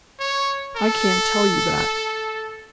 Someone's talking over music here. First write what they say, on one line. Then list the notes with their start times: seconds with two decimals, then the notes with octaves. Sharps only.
"I can't tell you that."
0.19 C#5
0.77 A4